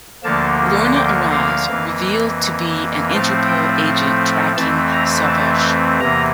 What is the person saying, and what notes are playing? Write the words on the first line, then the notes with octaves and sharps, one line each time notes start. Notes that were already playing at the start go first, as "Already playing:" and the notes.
Lorna arrives, revealed to be an Interpol agent tracking Sauvage.
D2 D3 F3 A#3 A5
G5
F5
F2 E3 A#3
A2 F3 A3 C4 F5
G5
F2 E3 A3 C4 A5
A#5
A5
E2 C3 E3 A#3 A#5